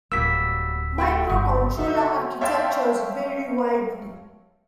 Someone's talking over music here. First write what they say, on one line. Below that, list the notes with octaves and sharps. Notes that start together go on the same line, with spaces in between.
Microcontroller architectures vary widely.
D1 F#3 G3 A#3 E6 B6
A3 F#4 G5
G1 C#3
D4 F#4 A4 E5
C#5 E5 F5 G5 A5 C6